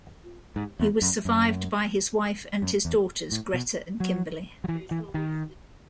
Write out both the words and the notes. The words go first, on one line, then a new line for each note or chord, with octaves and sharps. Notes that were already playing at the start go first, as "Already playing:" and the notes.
He was survived by his wife and his daughters Greta and Kimberly.
G#2
E2
F#2
F#2
F#2
E2
A2
B2
F#3
F#3
E3
E3
D#3